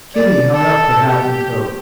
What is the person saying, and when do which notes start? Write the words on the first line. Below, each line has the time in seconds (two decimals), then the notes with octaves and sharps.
Kitty hung up her hat and coat.
0.14 D5
0.52 A4
1.09 G4